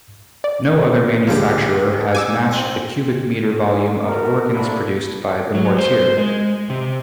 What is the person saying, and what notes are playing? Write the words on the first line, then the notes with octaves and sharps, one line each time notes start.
No other manufacturer has matched the cubic meter volume of organs produced by Mortier.
D5
C#2 D3 F3 G3 A#3 G5
G#5 D6 E6
C4
A3 B3 F#4 A4 A#4
G3 A3 A#3 C4 D4 E4
F#3
C5
G#3
C3